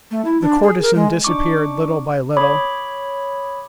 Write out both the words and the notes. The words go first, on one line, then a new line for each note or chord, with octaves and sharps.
The courtesan disappeared little by little.
A3
E4
D4
G#4
A#4
G#3
D4 D#4 C#6 D6
C#5 B5 D6 D#6 G#6